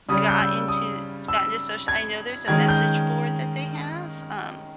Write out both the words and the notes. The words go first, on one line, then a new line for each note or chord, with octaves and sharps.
gotten to gotten to social I know there's a message board that they have, um
C#3 G3 C#4 D#6
G6
E6
D#6
E6
G#6
D#3 G#3 C#4 G#6
G6